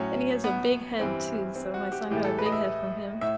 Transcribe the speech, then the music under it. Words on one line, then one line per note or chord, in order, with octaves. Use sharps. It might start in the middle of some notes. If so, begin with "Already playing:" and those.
and he has a big head too, so my son got a big head from him.
Already playing: A2 F#3 C#4
B3
G2 E3 G3 C4
C4
F#4
G4
A2 E3 G#3 G4
A4
B4
D#5
E5
A2 E5